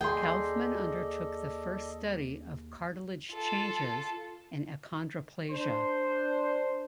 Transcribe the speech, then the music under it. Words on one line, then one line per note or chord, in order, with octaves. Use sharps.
Kaufmann undertook the first study of cartilage changes in achondroplasia.
D#2 G#4 A4 D5 D#5 G5 C6
F4 A4
D4 C5